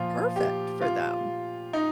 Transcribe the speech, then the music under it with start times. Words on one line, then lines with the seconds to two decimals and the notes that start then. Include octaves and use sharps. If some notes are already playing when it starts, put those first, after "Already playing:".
perfect for them,
Already playing: A#2 F3 F4
0.36 G4
0.81 F4
1.73 D#4